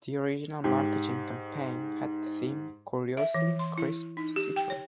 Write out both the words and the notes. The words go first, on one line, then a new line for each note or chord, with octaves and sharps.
The original marketing campaign had the theme "Curiously crisp Citra".
G#2 G4
E5
E3
C6
E4
D#4
G4
G5
C#5